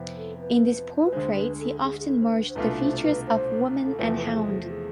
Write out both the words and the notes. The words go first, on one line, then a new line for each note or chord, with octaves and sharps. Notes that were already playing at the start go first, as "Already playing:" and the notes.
In his portraits he often merged the features of woman and hound.
Already playing: F2 C3 F3 B3 E4
A4
B4
B4
D2 D3 G#3 C5
B4
A4
G#4
G#4
A4
C5
B4
C5
C2 B2 A3 D4 F4 B4
C5
B4
C5
A4
E2 C3 F3 A3 B4
B4
A4
G#4
F4
G#4